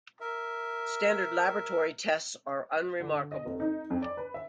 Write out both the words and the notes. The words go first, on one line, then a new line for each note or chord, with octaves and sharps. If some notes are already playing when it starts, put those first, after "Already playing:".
Standard laboratory tests are unremarkable.
A#4 E5
D3
D3
D#5
F1
D#4
F2
D5
B4
E5